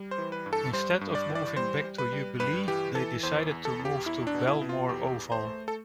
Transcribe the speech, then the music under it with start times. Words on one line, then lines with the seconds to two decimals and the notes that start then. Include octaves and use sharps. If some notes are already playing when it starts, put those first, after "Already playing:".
Instead of moving back to Jubilee they decided to move to Belmore Oval.
Already playing: G3
0.11 C5
0.18 E3
0.32 B4
0.46 G2
0.53 A4
0.73 G3 C5
1.01 G2
1.15 D5
1.29 E3
1.35 D5
1.57 G3 C5
1.84 G3
1.98 B4
2.13 G3
2.40 G2 B4
2.68 E3 G4
2.95 E3 A4
3.23 E2 C5
3.51 E2
3.65 A4
3.79 E2
3.85 G4
4.06 E2 E4
4.27 D4
4.34 B2
4.47 E4
4.61 B2
4.69 F4
4.89 E2 G4
5.18 E2
5.32 C5
5.45 A3
5.68 A4